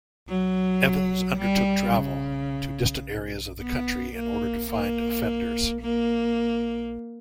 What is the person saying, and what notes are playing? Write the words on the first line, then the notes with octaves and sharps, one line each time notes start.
Evans undertook travel to distant areas of the country in order to find offenders.
F#3
G3
C#3
B3
A#3
A#3
A#3